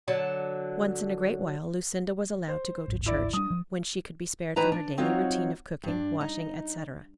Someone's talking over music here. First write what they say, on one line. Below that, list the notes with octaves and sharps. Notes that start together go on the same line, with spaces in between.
Once in a great while Lucinda was allowed to go to church, when she could be spared from her daily routine of cooking, washing, etc.
D3 F#3 A5
C5
D1 G#1
E4 D5
G3 D4 D#6
F3
D#3 E3 B4 A5 A#5
D4
F#3 C4 D#4 F4 F#4 C#5
G2 D4
D#4